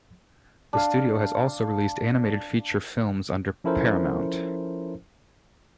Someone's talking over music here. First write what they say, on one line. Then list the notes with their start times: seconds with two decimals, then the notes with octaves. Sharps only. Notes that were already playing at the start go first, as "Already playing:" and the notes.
The studio has also released animated feature films under Paramount.
0.73 D4 F5
3.64 F3 C#4 E4 A4 A#4 C5